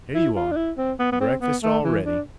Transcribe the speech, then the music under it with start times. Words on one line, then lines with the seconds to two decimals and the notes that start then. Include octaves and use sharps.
Here you are, breakfast all ready!
0.15 E4
0.36 F4
0.52 D4
0.56 E4
0.77 C4
0.99 B3
1.12 B3
1.20 C4
1.41 B3
1.63 A3
1.84 E3
2.05 D4